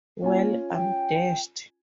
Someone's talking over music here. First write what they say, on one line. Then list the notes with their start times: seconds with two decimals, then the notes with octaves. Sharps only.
Well, I'm dashed.
0.22 A#3 C#4 F4 G#5
0.74 G5